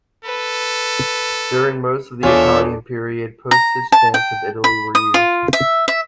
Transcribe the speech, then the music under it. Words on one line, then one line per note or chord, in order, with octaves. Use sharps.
During most of the Italian period, postage stamps of Italy were used.
A4 B4
E2 D4 F4 A4 C#5 E5 G#5
A#5
A5
G5
B5
D#6
F4
E5
E5